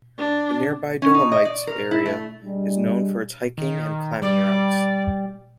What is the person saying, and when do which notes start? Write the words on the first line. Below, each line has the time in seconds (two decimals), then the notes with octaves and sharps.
The nearby Dolomites area is known for its hiking and climbing routes.
0.18 D4
1.02 C#4
1.14 D#4
1.32 D#5
1.45 D5
1.67 A#4
1.91 E4
2.06 A3
2.45 G3 G#3 D4
3.58 D#3
4.22 G3 D5